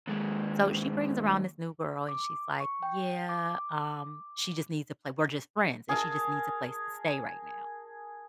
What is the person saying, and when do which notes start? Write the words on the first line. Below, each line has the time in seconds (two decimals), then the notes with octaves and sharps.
So she brings around this new girl and she's like, "Yeah, um, she just needs to play, we're just friends and she just needs a place to stay right now."
0.08 D#2 G#3
2.09 D6
2.60 C#6
2.83 G5
3.29 D6
5.89 G#4 A#4 A5